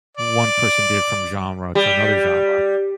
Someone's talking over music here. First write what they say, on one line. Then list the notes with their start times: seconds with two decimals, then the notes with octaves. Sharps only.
one person did from genre to another genre
0.17 D5
1.75 G3